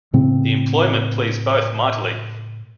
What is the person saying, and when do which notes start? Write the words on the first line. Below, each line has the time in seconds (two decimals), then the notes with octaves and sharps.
The employment pleased both mightily.
0.13 A2 C#3 C4